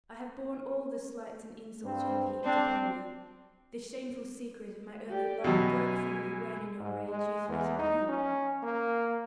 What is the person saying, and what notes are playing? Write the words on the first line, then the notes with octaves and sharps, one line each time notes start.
I have borne all the slights and insults you have heaped upon me. The shameful secret of my early love broke from me when in your rage, you threatened him.
G2 C4
C4 D4
G4 D5
F#2 B2 G#5
G#2
G#3
E2
D#4
C#4
A#3